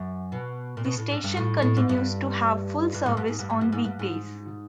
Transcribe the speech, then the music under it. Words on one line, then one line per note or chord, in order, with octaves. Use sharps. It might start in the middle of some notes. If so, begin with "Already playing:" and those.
The station continues to have full service on weekdays.
Already playing: F#2
B2
A#2
B2
A2
G#2
G2
A2
A2
G#2
G2
G2
G#2
G2
G#2
G2
G#2
G2
G#2
G2
G#2